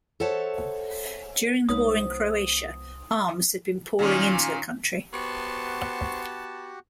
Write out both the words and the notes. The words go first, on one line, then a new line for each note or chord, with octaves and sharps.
During the war in Croatia, arms had been pouring into the country.
A4 C5 C#5 E5 F#5 A5
C2 F3 G#3 B3 D#4 C#5 D#6
A#2 D#3 C#4
B3 F#4 G4 C5 F#5 A5 C#6